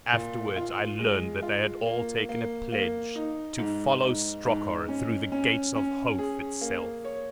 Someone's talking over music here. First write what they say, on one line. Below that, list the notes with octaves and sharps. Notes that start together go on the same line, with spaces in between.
Afterward I learned that they had all taken a pledge to "follow Strokor through the gates of Hofe itself!"
A#2
F4
G#3
F4
A#3
A#3
A#3
D#4
G#2
G#2
G#2
C#4
C#4
C#4
G#4
A#3
C#5